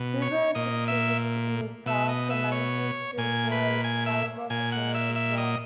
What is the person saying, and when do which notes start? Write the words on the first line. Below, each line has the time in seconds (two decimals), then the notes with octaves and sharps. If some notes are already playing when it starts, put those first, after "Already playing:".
Bubo succeeds in his task and manages to destroy Calibos' camp as well.
Already playing: B2
0.22 C#5
0.55 A#2 D#5
0.88 E5
1.86 B2 E5
2.09 D#5
2.30 E5
2.52 C#5
3.18 A#2 G#5
3.52 B4
3.84 G#5
4.06 E5
4.50 A#2 G#5
4.72 F#5
4.94 E5
5.15 E5
5.38 D#5